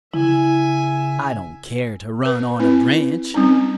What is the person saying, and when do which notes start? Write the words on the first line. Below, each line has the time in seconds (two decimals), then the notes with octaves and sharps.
I don't care to run on a branch.
0.14 C#3 E4 E5 G#5
2.26 B4
2.59 C4 E4 B4
3.34 G3 C4 C#4 D#4